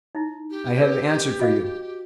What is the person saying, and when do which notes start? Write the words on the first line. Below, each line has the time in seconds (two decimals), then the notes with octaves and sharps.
I have answered for you.
0.15 D#4 E4
0.51 G4
0.78 A#4 B4 D5
1.40 F#4 D#5 F5